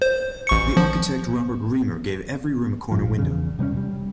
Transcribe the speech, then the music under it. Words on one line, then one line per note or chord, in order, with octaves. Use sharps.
The architect Robert Reamer gave every room a corner window.
C5
A1 C#6 C#7
F3
A#1 G2 F3
E2 C#3
C3 G3 B3 C#4
G3